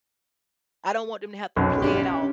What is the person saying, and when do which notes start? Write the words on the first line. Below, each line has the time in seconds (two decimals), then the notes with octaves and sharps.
I don't want them to have to play it off
1.56 B1 F#2
1.82 C#4 D4 G4